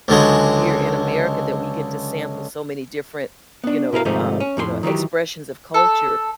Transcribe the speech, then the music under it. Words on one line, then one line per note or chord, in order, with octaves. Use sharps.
here in America that we get to sample so many different, you know, um, you know, expressions of culture,
C#2 D3 F#3 G#3
B3 D4
B2 E4 A#4 F5
G#2 C3 D#3 F3 A3 D#4
C#4
F2 A2 F#4 C6
D#3 E3 F#3 G4
A4